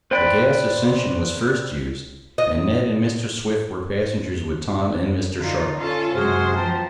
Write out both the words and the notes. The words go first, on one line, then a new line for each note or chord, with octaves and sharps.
The gas ascension was first used, and Ned and Mr. Swift were passengers with Tom and Mr. Sharp.
B4 C5 D5 G5 B5
D#5
D3 D#4 F4
C#4 F4 A4
F#2 C3 G#3 F#4 G#4 C5 F6
F3 B3 G5 A5 A#5